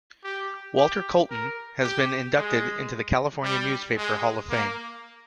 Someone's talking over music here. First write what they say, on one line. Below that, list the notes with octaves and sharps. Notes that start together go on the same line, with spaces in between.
Walter Colton has been inducted into the California Newspaper Hall of Fame.
G4
G4
A#4
G4
G#3
G3
G#3
A#3